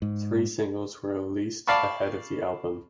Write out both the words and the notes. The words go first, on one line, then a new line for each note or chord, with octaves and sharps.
Three singles were released ahead of the album.
G#2
D5 F5 A5 B5 C#6